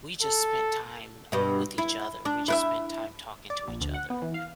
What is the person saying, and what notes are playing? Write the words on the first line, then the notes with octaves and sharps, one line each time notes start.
we just spent time with each other? We just spent time talking to each other,
A4
G2 B2
E4
D4
E4 B4 E5
D5
A#1
D2
F#5
B3
E3
F5